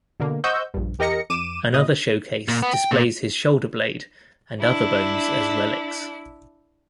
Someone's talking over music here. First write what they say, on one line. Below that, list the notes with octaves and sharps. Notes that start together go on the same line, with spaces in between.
Another showcase displays his shoulder blade and other bones as relics.
B2 D3 A#3
C5 D#5 F#5 C#6 E6 G6
A#1 G2
E2 G4 A#4 D#5 A#6 C#7
F2 D6 D#7 E7
A#2 D#5
A#2
B3
G5
A#2
D4 E4